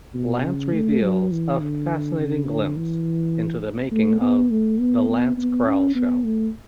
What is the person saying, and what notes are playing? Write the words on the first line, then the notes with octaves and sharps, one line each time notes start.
Lance reveals a fascinating glimpse into the making of The Lance Krall Show.
B2
C#3
A3
F#3
E3
D3
C#3
D3
E3
A3
B3
A3
B3
B3
B3
C#4
B3
A3